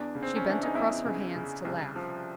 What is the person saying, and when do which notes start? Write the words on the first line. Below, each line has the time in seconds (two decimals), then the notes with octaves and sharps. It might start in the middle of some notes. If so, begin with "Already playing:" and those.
She bent across her hands to laugh.
Already playing: E2 D4
0.15 C#3
0.23 C4
0.36 C#4
0.45 E3 D4
0.63 D#4
0.75 E2 E4
1.05 C#3
1.35 C#3
1.65 C2
1.96 F3